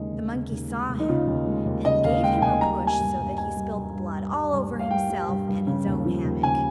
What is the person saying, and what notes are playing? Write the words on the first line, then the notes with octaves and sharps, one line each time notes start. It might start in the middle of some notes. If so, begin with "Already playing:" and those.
The monkey saw him and gave him a push so that he spilled the blood all over himself and his own hammock.
Already playing: D#2 C#3 G#3 D#4
D#2
C#3
D#2
G#3
D#2
D#4
C#3 F4
D#2
G#3
D#2
C#3 D#5
D#2 F5
G#3 G5
D#2 G#5
G3 A#5
G3
G#5
G2
G2
G3 G#5
G3
G2
G2
G3
G3
G2
G2
F5
G3 G5
G3
G2
G2
C#3
D#2
F3
D#2
C#3 G#5